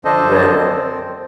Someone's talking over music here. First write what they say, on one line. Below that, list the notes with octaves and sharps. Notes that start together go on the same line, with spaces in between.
Right, right.
D3 F3 D4 A4 C5 D#5
C4